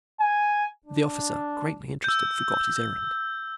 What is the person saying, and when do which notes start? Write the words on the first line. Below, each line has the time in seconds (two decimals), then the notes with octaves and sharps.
The officer, greatly interested, forgot his errand.
0.20 G#5
0.85 D4
2.04 E6 G6